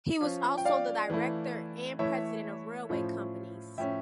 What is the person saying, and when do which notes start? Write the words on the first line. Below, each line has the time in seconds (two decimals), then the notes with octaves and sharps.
He was also director and president of railway companies.
0.21 F3 C#4 F4
0.58 G5
0.65 D5 F5
1.10 E3 A3 E4
1.99 E3 A3 E4 C#5 E5
2.89 A2 F3 C#4 F4
3.78 A2 F3 C#4 E5 G5